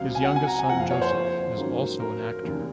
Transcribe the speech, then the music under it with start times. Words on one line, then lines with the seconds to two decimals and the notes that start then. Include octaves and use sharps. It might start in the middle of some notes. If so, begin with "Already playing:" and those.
His youngest son, Joseph, is also an actor.
Already playing: C#2 C3 F#3 F5
0.15 G#5
0.25 F#5
0.36 G#5
0.47 A#5
0.59 G#5
0.68 F#1 F2 C3 F3 F#5
0.80 F5
0.91 C#5
1.01 C5
1.57 G#2 D#3 F#3 A#3 C#4
2.00 A#4
2.43 F1 D#2 C#3